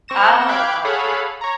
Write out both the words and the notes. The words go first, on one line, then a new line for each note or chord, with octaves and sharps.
Oh, okay.
C4 C#6 A#6 E7
F5 G5 B5 D6 F#6 G#6
G#4 A4 C#5 F5 F#5 B5
C#5 A#5